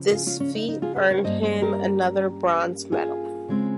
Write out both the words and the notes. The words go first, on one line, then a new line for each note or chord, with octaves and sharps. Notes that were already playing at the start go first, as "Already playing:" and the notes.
This feat earned him another bronze medal.
Already playing: C#3 F3
F4 G#4
C#4 F4
C#4
D#4
D#4
F4 G#4
G#4 C5
A#4 C#5
G2 G3 A#3 C#4 C5 D#5
G#4 C5
G4 A#4
F4 G#4
C#3 G#3 C4